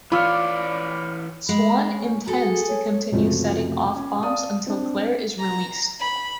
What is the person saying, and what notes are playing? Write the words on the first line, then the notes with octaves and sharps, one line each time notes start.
Swan intends to continue setting off bombs until Claire is released.
E3 F4 C#5 D5 B5 E6 F6
G#3 B5
C#4
F#4 G#4 A4
C#5
C#2 F#2 C3 F3 A3
C#4
D5 F5 A5 D#6
C4 D4
A#5
B5